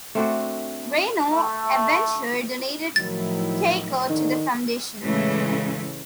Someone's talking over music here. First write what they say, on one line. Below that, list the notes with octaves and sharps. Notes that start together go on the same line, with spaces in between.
Reino Aventure donated Keiko to the Foundation.
A3 C4 D4 F#4
A3
A2 D#3 F3 F#3 E4 A6
E2 D3 D#3 D#4
A2 C#3 E3 G#3 A3